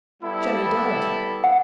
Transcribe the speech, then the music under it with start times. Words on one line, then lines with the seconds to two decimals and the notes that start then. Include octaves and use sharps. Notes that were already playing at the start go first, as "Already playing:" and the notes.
"Jemmy Dadd."
0.20 G3 B3 E4 A4
1.44 F#5